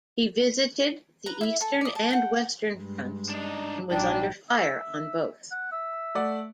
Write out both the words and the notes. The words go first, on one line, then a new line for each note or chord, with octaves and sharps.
He visited the Eastern and Western Fronts and was under fire on both.
B4 A#5
E4 E5
A4 G#5
D5 D#6
A5
F#5 G5
G2 G#3
D4 D#4
A#1 G#2 F#3 D4 G5
E5
F#5
E5
A3 D5 F#5